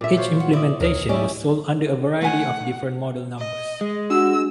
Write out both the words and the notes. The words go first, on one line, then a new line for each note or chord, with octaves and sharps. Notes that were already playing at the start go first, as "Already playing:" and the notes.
Each implementation was sold under a variety of different model numbers.
A#2 E5
F4 C5 C#5
F#5
E4 D5 D#5
D2 C#4 A#4 D#5
F#3 C#4 E4 G4 D5 D#5
A3 F#5 G#5
D#5
G#3
D4 F#4 E6